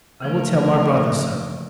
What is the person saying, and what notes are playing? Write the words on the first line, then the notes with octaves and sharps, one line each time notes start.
I will tell my brother so.
C#3 E3 F3 A3 A#3 A#4